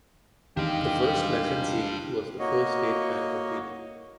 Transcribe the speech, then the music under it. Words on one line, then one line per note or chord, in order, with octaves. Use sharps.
The first licensee was the First State Bank of Vida.
E2 D#3 G#3 D4 G4 F5 G5
A#3 F#4 C#5 D#5